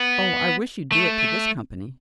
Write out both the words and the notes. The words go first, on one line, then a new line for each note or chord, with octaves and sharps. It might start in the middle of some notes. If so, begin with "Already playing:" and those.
"Oh, I wish you'd do it to this company."
Already playing: B3
A3